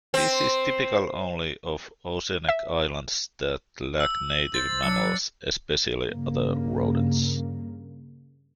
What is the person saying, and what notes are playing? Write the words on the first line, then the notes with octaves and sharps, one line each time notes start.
This is typical only of oceanic islands that lack native mammals, especially other rodents.
C4
E5
E6
C5 A6
F#3 D4 C#7
G2 C#3 A#3